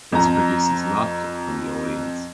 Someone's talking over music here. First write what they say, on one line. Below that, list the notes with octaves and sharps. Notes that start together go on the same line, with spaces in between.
This produces laughter from the audience.
F2 A#5